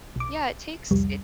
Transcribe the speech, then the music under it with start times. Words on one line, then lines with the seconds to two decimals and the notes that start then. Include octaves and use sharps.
Yeah, it takes it
0.16 B1 D6
0.91 C2 F2 G3